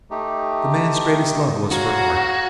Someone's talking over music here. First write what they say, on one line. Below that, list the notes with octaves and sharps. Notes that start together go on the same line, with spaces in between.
The man's greatest love was for art.
A3 D#4 G4
F#4 C#5 F5 A#5